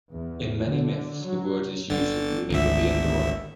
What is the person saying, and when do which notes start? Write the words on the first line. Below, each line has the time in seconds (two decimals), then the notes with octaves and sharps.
In many myths, the word is used as the name of the Underworld.
0.11 E2
0.64 D3
1.24 F#3
1.90 G1 D3 A6
2.50 G#1 D2 E5